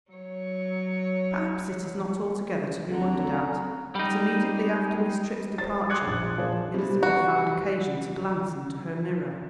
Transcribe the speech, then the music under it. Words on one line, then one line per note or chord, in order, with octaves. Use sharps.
Perhaps it is not altogether to be wondered at that immediately after Miss Tripp's departure Elizabeth found occasion to glance into her mirror.
F#3 C#5
D2 D3 C4 A4 F#5 A#5
G3 D#4
C5 A6
C6 D6 D#6 F#6 G#6 C#7
A#1
F3 G#4 C5
C3 G3
F#4